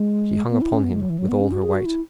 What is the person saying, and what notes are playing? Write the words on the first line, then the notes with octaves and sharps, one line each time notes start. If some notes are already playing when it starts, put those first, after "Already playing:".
She hung upon him with all her weight.
Already playing: G#3
B3
E4
C#4
B3
G#3
F#3
E3
F#3
B3
C#4
F#4
G#4
F#4
E4